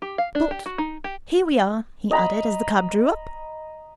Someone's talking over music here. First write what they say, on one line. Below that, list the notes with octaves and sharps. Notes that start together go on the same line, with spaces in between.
But here we are,' he added, as the cab drew up.
G4
F5
D4
G4
F#4
D#4
G4
D#5 A#5 B5